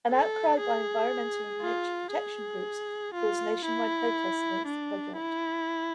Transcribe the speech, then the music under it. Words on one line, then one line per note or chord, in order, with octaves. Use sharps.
An outcry by environmental and nature protection groups caused nationwide protests against the project.
A4
G#4
F4
G#4
F4
E4
D4
E4